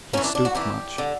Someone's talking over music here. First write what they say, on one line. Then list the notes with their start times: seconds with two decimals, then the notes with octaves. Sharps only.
He stooped much.
0.13 F#2 E3 C#4
0.24 D4
0.35 D4
0.45 F#4
0.55 F#2 E3 G4
0.98 D3